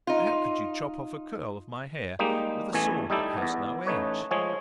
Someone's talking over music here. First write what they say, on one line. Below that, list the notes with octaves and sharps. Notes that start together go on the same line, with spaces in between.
"But how could you chop off a curl of my hair with a sword that has no edge?"
D#4 F4
G3 G#3 A#3 D#4 G4
A1 E2 E3 A3 G#5
G3 D#4 E4 G4 A4
E2 B3
A1 A3 D#4 B4 C#5
F3 G#3 G#4 C#5